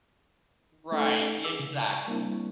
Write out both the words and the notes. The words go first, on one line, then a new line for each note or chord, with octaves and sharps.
Right, exact
A3 C#4 D#4 A4
G#4 D6 E6
C#3
C#6
G3 A#3 C4 D4 E4